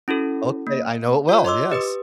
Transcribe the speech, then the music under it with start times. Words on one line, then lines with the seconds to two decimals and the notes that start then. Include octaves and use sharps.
Okay. I know it well, yes.
0.08 C#4 E4 F#4 A4
0.67 A#3
1.29 F4 C#5
1.45 D#5 C6 D6 E6
1.72 G4 B4 D#6